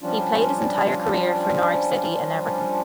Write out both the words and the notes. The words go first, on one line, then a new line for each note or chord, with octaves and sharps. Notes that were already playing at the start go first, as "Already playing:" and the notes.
He played his entire career for Norwich City and Everton.
F3 G3 C#4 D4 F4